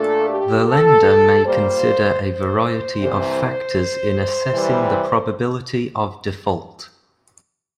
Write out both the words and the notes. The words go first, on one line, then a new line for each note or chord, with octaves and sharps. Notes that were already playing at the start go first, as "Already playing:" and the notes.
The lender may consider a variety of factors in assessing the probability of default.
Already playing: A#2 A3 D4 A4
G4
A4
A#2 G3 A#3 C5
C5
C2 C3 E3
C3 E3 G3